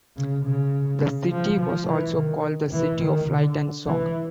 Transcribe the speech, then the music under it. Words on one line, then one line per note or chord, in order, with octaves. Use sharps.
The city was also called "The City of Light and Song".
C#3
C#3
C#3
F3
F3
E3
D#3
E3
D#3
D3
E3